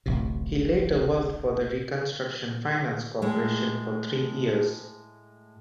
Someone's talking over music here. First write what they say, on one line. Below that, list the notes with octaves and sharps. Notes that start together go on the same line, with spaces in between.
He later worked for the Reconstruction Finance Corporation for three years.
D1 A1 C3
A2 G#3